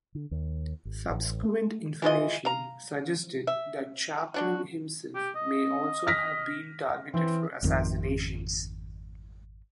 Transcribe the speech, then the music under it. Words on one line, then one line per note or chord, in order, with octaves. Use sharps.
Subsequent information suggested that Chaplin himself may also have been targeted for assassination.
D3
D#2
G#1
A1
A3
E3 G#3 F4 D#5
F5 A#5
E5
F#3 D4 F#4
G4
D#5
F6 A#6 B6
E3 C4
G#1 F2 D#3